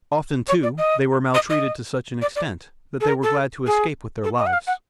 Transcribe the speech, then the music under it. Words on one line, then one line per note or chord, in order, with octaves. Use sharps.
Often, too, they were maltreated to such an extent that they were glad to escape with their lives.
C#5
D5
D#5
D#5
D#5
D5
D5
A4
A#4
A4
G#4
A4
D#5
F#5
F5
F#5